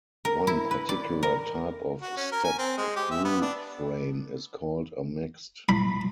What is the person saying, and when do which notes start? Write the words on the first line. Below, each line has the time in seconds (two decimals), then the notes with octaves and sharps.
One particular type of step-through frame is called a mixte.
0.25 A#4
0.47 E4
0.71 B4
0.89 D5
1.23 A#4
2.02 F#4
2.17 C#4
2.32 A#4
2.44 G#5
2.59 C4
2.78 G#3
2.96 G4
3.11 E5
3.25 B3
3.42 D4
5.69 B5